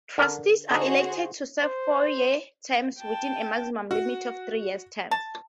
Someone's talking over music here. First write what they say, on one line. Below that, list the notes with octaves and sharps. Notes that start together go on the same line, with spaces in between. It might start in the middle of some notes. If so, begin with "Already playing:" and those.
Trustees are elected to serve four-year terms, with a maximum limit of three terms.
D3 A#4
D3 D#4 F#4 G#4 C5
C5
G5 A5
F#4
A5